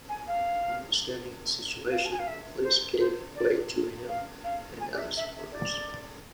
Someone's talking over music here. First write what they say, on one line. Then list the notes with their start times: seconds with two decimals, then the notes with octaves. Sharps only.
Understanding the situation, the police gave way to him and other supporters.
0.09 G#5
0.28 F5
1.91 F5
2.05 A5
2.12 G#5
2.19 F5
2.27 E5
2.63 C5
2.99 C5
3.35 D5
4.08 F5
4.44 F5
4.80 G#5
4.94 D5
4.98 E5
5.17 E5
5.36 E5
5.53 D5